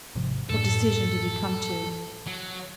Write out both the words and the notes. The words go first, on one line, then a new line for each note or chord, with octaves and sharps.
What decision did he come to?
G#1 C3 F3
F#2 A2 D4 A4
F#3